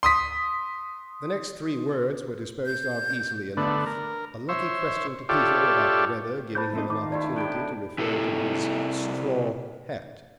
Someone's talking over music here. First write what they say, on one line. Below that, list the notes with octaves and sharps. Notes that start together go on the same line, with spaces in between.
The next three words were disposed of easily enough, a lucky question to Peter about the weather giving him an opportunity to refer to his straw hat.
C6 D#6 B6
G6
D3 A3 B3
A#4
C5 C#5 E5
F4 G4 A4 C#5 D5 E5
G3 G#4 C5 A5 B5 G6
A3 C4 D#4
D#3 D#4 F4 D6
A3 E4 G4 D5
A2 C3 G3 D4 D#4 G5
C3 E4 A4